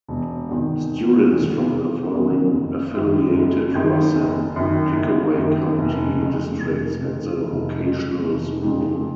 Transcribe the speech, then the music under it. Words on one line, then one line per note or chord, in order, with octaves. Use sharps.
Students from the following affiliated Ross and Pickaway county districts at the vocational school.
E1
E2 C3 D#3
E1
E2 C3 D#3
E1
E2 C3 D#3
F#1
F#2 D#3
F#1
F#2 D#3
F#1
F#2 D#3
F#1
F#2 D#3
F1
F2 C#3
F1
F2 C#3
F1
F2 C#3
F1
F2 C#3